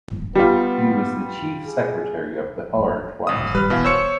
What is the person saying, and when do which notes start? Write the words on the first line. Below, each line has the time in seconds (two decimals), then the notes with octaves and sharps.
He was the chief secretary of Bihar twice.
0.35 G3 B3 F4
1.66 G#4
3.27 G#1 D#6
3.55 G3 B4 F6
3.70 B2 E3 B3 F5
3.84 C5 C#5 E6 C#7